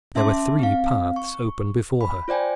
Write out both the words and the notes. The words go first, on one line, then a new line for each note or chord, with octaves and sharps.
There were three paths open before her.
C#4 E5 A5 C6 D6
C4 F5
C#6
B5
F4 C5 D5 G5 G#5